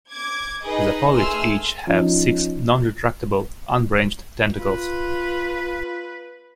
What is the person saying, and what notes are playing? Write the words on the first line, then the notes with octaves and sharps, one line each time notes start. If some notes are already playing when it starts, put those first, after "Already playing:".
The polyps each have six non-retractable, unbranched tentacles.
D6 G#6
D#4 G#4 B4 D#5
A3 G#4 G#5 C6 E6 F6
F3 C#4 D#4
F4 B4